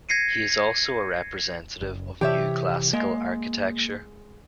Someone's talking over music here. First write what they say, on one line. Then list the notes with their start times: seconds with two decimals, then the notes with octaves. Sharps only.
He is also a representative of New Classical Architecture.
0.09 G#6 A#6 C7 C#7 D#7
1.81 F#1
2.21 C3 E3 G4 C#5 E5
2.93 G#3 A#3